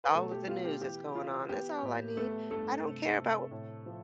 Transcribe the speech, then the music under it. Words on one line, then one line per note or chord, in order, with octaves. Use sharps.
all of the news that's going on. That's all I need. I don't care about
B4
B2 A3 A4
G4
B3 F4
G4
E3 G4
E3 F4
B3 G4
A2
A3 B3 A4
G2 A3 A4
C3
C3
A2
F3